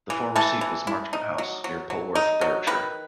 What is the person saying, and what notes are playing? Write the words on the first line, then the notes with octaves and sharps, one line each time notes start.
The former seat was Marchmont House, near Polwarth, Berwickshire.
E3
E3 A4
E3
E4
D#4
F#3
F#3
F#3
D#4
F#3
D#3 B4